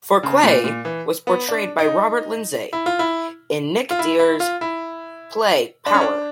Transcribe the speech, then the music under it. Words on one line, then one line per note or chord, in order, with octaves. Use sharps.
Fouquet was portrayed by Robert Lindsay in Nick Dear's play "Power".
C#3
A#2
A#2
E3
B3
D4
D#4
E4
F4
E4
F4
E4
E4
F4
E4
D4
C#4
D4